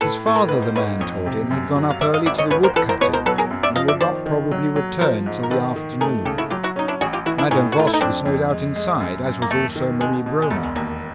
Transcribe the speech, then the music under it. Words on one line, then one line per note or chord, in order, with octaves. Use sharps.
His father, the man told him, had gone up early to the wood-cutting, and would not probably return till the afternoon. Madame Voss was no doubt inside, as was also Marie Bromar.
A2 A4 B4
A2
A#4
G#2 B4
C5
G#2 B4 C#5
F2 C#5 D#5
C3
F#2
F#3
F5
G#2 D5 E5
D#5 F5
G#1 D5 E5
C#5 D#5
C#2 B4 C#5
A#4 C5
E3 A4 B4
A#4 C5
B2 B4 C#5
A#4 C5
F#3 A4 B4
G#4 A#4
F#2
D5 E5
F3 D#5 F5
D5 E5
D#3 C5 D5
D#3
F#3
F#3
F3 A#4 C5
G#2
A#4
D#3 A4 B4
D#3
A3 G#4 A#4
C#3 G4 A4
E4 F#4
F#3 F4 G4
E4 F#4
C#4 D#4
D4 E4
A1 F#4 G#4
F4 G4
E3 E4 F#4
D4 E4
A2 C#4 D#4
F#4
A3 F4
E4
D#4
F2 C4 D4
F2
G#3
G#3
F#2
F#2
A#3
D#2 A3
D#3
B2 G#3
B2
G#3
E1 A3
G#3
D#2 F#3